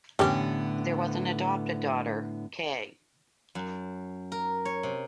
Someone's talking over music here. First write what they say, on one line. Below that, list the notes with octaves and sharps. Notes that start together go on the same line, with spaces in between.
There was an adopted daughter, Kaye.
A2 D3 G3 B3 C#4 G4
F#2
A#4
C#5
C3